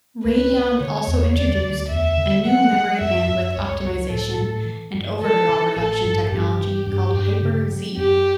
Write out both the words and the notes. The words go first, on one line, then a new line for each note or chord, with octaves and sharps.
Radeon also introduced a new memory bandwidth optimization and overdraw reduction technology called HyperZ.
C#2 B4
B3
D3 C#5
E2
D2 D5
D2
E2 E5
D3
F#3 F#5
F#3
F#2 E5
F#2
C#2 C#5
C#2
A2 A4
A2
E3
G2
E3 A4
E3
A1 A4
G2
G2 G4
E3
G2
G2
C#3
F#3
F#2 G4